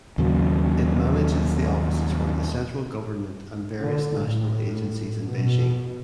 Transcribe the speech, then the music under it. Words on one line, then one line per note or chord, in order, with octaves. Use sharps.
It manages the offices for the central government and various national agencies in Beijing.
D#2 A#2 C#3 F#3
D3
A2
B2